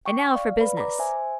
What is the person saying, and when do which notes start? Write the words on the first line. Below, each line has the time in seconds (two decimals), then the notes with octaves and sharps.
And now for business.
0.06 G5 C#6 D6
0.35 D5 F5
0.61 B4 D5 B5
0.77 A#5 D6
0.99 C5 E5 G#5